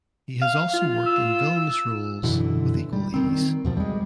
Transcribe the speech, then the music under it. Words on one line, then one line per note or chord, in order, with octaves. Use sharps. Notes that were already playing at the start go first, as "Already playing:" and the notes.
He has also worked in villainous roles with equal ease.
F5
F4
E6
F#2 B2 D3 E3
G3
D#3 C4
E2 B2 F3
G3 G#3